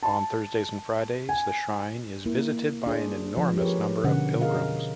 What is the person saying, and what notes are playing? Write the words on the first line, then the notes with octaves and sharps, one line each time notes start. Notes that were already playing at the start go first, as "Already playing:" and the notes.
On Thursdays and Fridays, the shrine is visited by an enormous number of pilgrims.
A5
G#5
A#3 E4 A#4
D4 G#4 C5 D5
F3 B4
G4 G#4 A#4 B4 C#5
B2 D3 C#4 A#4 F#5
G#4 A#4 D#5 F5